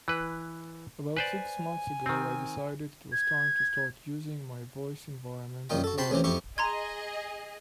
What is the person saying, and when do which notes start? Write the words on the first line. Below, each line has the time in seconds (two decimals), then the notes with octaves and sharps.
About six months ago, I decided it was time to start using my voice environment at work.
0.08 E3 B4
1.17 B4 C5 D5 G#5
2.06 D#3 C4
3.12 G#6
5.70 F#2 A#2 D#3 D#4 F4 G5
5.84 F#4 A4
5.98 C3 F#4 G5 A5 B5 C6
6.10 D2 C#3 E3 C4 G4
6.24 F2 E4 F#4 G4 C#6
6.58 G#4 D#5 A#5 C6 G#6